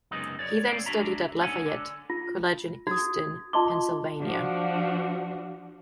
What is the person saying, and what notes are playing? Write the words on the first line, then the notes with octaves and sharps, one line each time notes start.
He then studied at Lafayette College in Easton, Pennsylvania.
C#2 F#2 C3 B3 D#4 G#4
C#5 D5
C4 C#5 D5 F5 G5
D4 F#4 E5 A#5
A3 D#4 A4 C#5 F#5 G#5
D3
F4 A#6
F#4 D#6 G#6
F4 D#5 A5 C6 D6 G7
F3 D4 F#4